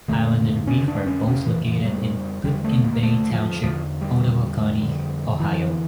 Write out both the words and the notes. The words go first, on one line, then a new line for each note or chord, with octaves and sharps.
Island and reef are both located in Put-in-Bay Township, Ottawa County, Ohio.
F2 D3 A3
C#4
D4
C#4
F2 C#3 C#4
E3
E3
G3
E2 D3 G3
A3
A#3
A3
F3
E2 D3 F3
G3
F2 D3
E3